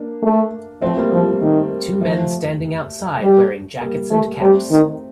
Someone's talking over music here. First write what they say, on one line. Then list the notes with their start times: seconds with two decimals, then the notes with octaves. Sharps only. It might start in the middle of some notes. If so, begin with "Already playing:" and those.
Two men standing outside wearing jackets and caps.
Already playing: A#3 D4
0.22 A3
0.81 F3 A3 C4
0.97 G3 A#3
1.12 F3 G3
1.27 A3
1.41 D#3 A3
2.01 F3 A3
3.20 G3
3.81 G3 A#3
4.10 A3
4.41 G3 A3 C4
4.71 D#3